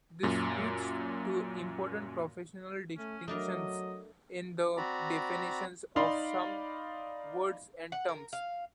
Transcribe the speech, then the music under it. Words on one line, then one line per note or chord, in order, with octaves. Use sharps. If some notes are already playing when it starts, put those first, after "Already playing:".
This leads to important professional distinctions in the definitions of some words and terms.
F#2 A#2
A3 C#4
F#3 A3 D4 A#4 D#5
C4 F#4 D5 A#5 B5
D#4 D5 F5 B5 C6
F#5
A#4
F5